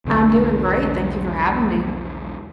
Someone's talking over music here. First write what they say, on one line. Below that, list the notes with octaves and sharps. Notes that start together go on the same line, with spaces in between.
I'm doing great. Thank you for having me.
B1 E2 D3 G#3